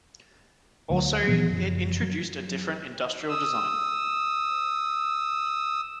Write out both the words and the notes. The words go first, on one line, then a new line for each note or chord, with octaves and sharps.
Also it introduced a different industrial design.
D2 F#3
A#2 E3 F3 B3
F#1 F#2 F3
F#3
D#6 E6